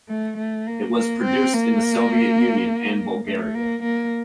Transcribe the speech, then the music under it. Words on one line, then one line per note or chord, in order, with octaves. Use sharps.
It was produced in the Soviet Union and Bulgaria.
A3
A3
A#3
A#3
C4
A#3
A3
A#3
A#3